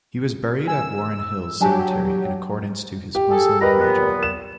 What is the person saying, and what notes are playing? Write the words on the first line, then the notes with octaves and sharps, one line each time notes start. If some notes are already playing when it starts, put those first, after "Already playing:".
He was buried at Warren Hills cemetery in accordance to his Muslim religion.
G#4 E6
F#3 D4 G4 G#5 A5
G4
G#4 A4
G3 G4 A#4 B4 D#5 A#5
A#2 F#3 B3
E7